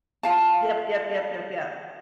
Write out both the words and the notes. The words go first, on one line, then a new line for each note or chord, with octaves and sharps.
Yep, yep, yep, yep, yep.
F4 F5 A5